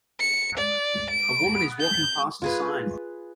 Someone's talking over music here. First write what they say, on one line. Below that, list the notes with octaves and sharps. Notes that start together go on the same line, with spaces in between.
A woman is walking past a sign.
C#7
D5
D7
G6
F4 G#4 B4